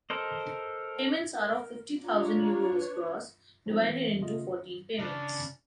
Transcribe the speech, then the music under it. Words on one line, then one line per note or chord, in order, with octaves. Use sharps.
Payments are of fifty thousand euros gross, divided into fourteen payments.
A4 A#4 C5 D#5
A#4
D4 F4 C#5 A#5
B4
F3 F#3 G#3 C4 D#4
E3 A3
C#3 A3 F4 D#5
C#3 D4